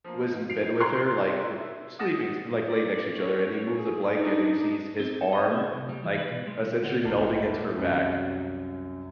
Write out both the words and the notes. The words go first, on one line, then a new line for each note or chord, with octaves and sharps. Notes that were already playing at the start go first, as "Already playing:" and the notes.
was in bed with her, like, uh, sleeping s like, laying next to each other, and he moves a blanket and he sees his arm, like, essentially melding into her back.
F3 A#3
C7 D7 F7
A#5 C6 F#6 G#6 C7
E4
F#5 D#6 A6 A#6 E7
D5
C#5
G#4
D4 D#4
C4
A4
D#5
A3
C2
G3
E3
B4
B2
G#3
D3 A#3 F#5
B1 E2 G2 A#4 C5 D5 A5 A#5
G#3 B4 F#5 A#5 B5
B2 E5
G4
C2 F#2